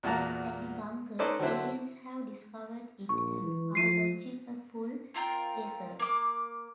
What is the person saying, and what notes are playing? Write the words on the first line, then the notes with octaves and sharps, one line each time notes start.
Back at the bunker, aliens have discovered it and are launching a full assault.
E2 A#2 F#4 A5 A#5
C#4 D#4 A4 B4 C5 D5
D3 F#3 C4 E4 C5
A#1 C#6
E3
F3 C7 D#7
C4 F4 A#4 G5
A#3 D6